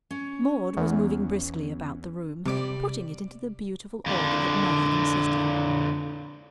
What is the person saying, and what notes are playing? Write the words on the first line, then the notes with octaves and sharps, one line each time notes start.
Maude was moving briskly about the room, putting it into the beautiful order that Mother insisted on.
C#4
E2
C3 G3 D5 D6
F2 D3